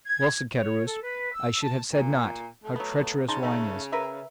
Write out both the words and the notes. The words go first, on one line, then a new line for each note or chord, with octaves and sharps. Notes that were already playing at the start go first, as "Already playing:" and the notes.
"Well," said Caderousse, "I should have said not--how treacherous wine is!"
G#6
C#5
A4
B4
E6
A5
A#2
A3
F#3 B3
C#3 D#4 A5 C6
A3 C#4 D#4
A#4 B4 E5